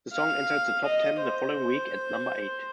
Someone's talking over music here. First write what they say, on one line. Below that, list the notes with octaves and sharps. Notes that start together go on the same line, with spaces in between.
The song entered the top ten the following week at number eight.
F5
D#5
C5